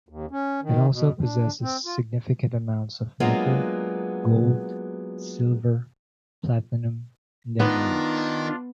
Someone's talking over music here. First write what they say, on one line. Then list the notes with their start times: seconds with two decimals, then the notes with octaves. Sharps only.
It also possesses significant amounts of nickel, gold, silver, platinum, and emeralds.
0.09 D#2
0.31 C#4
0.63 D#3
0.93 B2
1.22 D4
1.62 C4
1.86 F4
3.20 F#3 G#3 A#3 B3 D4 F4
7.60 D#3 B3 D4 D#4 F4